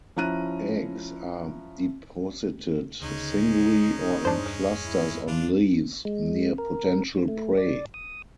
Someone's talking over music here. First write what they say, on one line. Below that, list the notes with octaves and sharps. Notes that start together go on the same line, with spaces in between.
Eggs are deposited singly or in clusters on leaves near potential prey.
F3 C#4 E4 A#5 F#6 D#7
D2 C#3 G#3 C#4 D#4
E1 G2 G3 D4 C5
E4
E2 E3 D4 F4
G#3
A#4
A3
D5
D#6